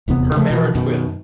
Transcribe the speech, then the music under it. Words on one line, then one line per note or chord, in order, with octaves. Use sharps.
Her marriage with.
D#1 E2 C3 B3
C#3 F3 A3
B2 E3 F3
F#2 B2 D#3